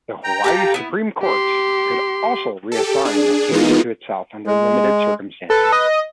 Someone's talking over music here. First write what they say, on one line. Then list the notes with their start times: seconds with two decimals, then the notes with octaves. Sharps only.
The Hawaii Supreme Court could also reassign a case to itself under limited circumstances.
0.23 G5 A#5
0.44 G4 A4 F5
0.74 B3 E4
1.22 G4 C6
2.72 G4 A4
3.05 D4 G#4
3.51 E3 G#3 A#3 B3 D#4 F4
4.47 G#3
5.50 A4 B4
5.72 D#5